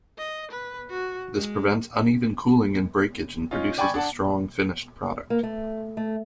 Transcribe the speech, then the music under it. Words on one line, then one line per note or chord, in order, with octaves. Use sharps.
This prevents uneven cooling and breakage and produces a strong finished product.
D#5
B4
F#4
G#3
C#4 D#4 F4
D5 G5 G#5 B5 C#6 G#6
D4 F#5 A5
A#3
A3
A3